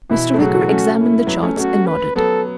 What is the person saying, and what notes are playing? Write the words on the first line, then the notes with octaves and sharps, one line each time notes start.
Mr. Wicker examined the charts and nodded.
B2 E3 E4
A3
C#3 F#3 F#4
E3 A3
A3 C#4
E4
F#3 B3
A3 C#4
A3 C#4 F#4
B4
F#3 B3 A4